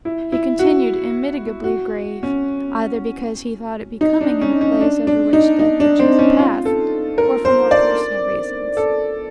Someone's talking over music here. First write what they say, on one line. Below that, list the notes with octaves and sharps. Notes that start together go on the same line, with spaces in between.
He continued immitigably grave, either because he thought it becoming in a place over which death had just passed, or for more personal reasons.
E4
E4
F#4
F#4
C#4
D#4
D4
C#4
C#4
D4
D4
D#4
D#4
D4
C4
C#4
F4
A4
A#4
C5
D5
A4